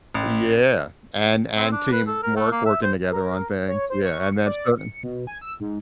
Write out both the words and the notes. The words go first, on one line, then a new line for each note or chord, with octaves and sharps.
Yeah, an an teamwork, working together on things, yeah, and that's something
A1
C4
D4
B4
A4
A#4
A3
A#3
E5
C5
A#4
C#5
C5
C#6
C#7
D5
C#7
B2
G#5
E6
G#2